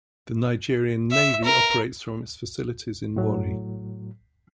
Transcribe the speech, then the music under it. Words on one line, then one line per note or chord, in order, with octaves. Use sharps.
The Nigerian Navy operates from its facilities in Warri.
E5
A#4
A2 F#3